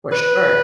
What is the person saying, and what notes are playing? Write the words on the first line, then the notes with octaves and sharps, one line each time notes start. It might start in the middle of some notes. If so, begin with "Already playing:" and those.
For sure.
B4